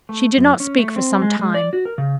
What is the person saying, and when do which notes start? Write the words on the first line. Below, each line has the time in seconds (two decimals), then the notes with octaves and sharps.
She did not speak for some time.
0.09 A3
0.37 F#2
0.60 C#4
0.79 A3
0.96 C4
1.22 G#3
1.39 G#3
1.54 D5
1.73 F#4
1.85 A#4
1.98 C#3